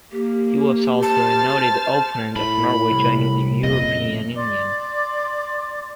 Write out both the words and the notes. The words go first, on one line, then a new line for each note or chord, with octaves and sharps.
He was also a noted opponent of Norway joining the European Union.
A#3 G4
C5 A5 F6 A6
A2 B5
C2
F2 A#2 C#3 D#5
D5 C6 D6